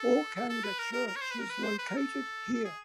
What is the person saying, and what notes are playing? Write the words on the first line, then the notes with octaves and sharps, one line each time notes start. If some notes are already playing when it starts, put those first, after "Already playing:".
Orkanger Church is located here.
Already playing: A4
A4
A4
B4
A#4
A#4
A#4
C#5
C5
B4
A#4
B4
C5
B4
A#4
A4
A4
G#4